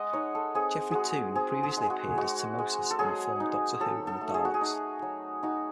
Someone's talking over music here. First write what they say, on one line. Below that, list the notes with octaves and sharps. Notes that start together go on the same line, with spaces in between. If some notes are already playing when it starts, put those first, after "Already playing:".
Geoffrey Toone previously appeared as Temmosus in the film "Doctor Who and the Daleks".
Already playing: G#3 D#5 F#5
D#4 C#5
A4
C4 G#4
G#3 F#4 G#4
C4 G#4
G#4
G#3
F#4
G#3 F#4
G#3
A4
F#3 G#4
D#4
F#3 A4
A4
A3
G#4
F#4
G#4
D#4
F#3
D#4 F#4